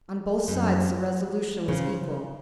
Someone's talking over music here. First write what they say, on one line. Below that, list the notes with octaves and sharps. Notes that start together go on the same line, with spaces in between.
On both sides, the resolution was equal.
F#2
C#3 F3